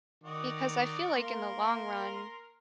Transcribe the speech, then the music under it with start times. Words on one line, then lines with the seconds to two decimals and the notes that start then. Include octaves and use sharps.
because I feel like in the long run,
0.24 D#3 D#4 F#4 D5
1.16 A#3 A#4 C6